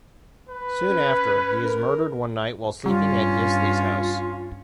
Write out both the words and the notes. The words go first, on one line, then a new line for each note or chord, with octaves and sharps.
Soon after, he is murdered one night while sleeping at Gisli's house.
B4
C#4
A#4
G2 G3 C#4 F4